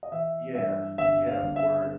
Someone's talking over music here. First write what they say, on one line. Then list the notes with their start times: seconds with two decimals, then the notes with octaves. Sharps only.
Yeah, yeah, or
0.03 D#5
0.12 E3 E5
0.55 G2 E5
0.98 G1 E5
1.27 F5
1.42 G1
1.56 E5